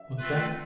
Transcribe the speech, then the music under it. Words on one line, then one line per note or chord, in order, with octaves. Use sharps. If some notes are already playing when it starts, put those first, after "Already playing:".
What's that?
Already playing: E5
A3 C4 F4 B4